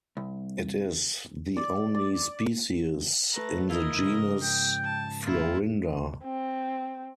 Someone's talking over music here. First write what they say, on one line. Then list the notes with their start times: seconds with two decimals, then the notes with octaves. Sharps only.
It is the only species in the genus Florinda.
0.17 C2
1.57 D5
1.95 D5
3.34 A3 B4 A#5
3.70 E4 F4 A#4 D#5
4.03 G#2 C#3 F3
4.43 G5
4.83 A5
5.24 A#3 E4 F4
6.24 C4